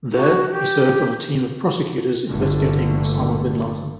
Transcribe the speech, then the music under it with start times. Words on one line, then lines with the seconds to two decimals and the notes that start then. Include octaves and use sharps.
There, he served on a team of prosecutors investigating Osama bin Laden.
0.13 F#4
0.50 G4
2.28 G1 D3 A3